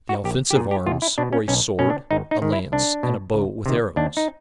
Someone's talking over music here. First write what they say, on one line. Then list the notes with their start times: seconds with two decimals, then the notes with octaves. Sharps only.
The offensive arms were a sword, a lance, and a bow with arrows.
0.09 F#4
0.24 A#1 G4
0.51 G4
0.55 A#2 G#4
0.71 G4
0.86 E2 F4
1.02 E4
1.18 B2 D4
1.33 C#4
1.48 B1 C#4
1.79 B2 C#4
1.90 D4
2.11 G#1 D#4
2.31 D#4
2.42 G#2 D#3
2.52 E4
2.72 C2 D4
3.03 B2
3.34 C#2
3.66 C3 D#3
3.96 D#2 D4
4.17 D#4